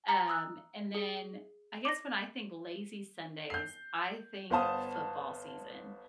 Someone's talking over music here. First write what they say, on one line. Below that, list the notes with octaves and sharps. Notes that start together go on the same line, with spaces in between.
Um, and then I guess when I think lazy Sundays, I think football season.
A#5 C#7
D#6 E6 F#6
G#4
D6 A#6
G6 C7
G1 B3 C5 F5 A5 D#6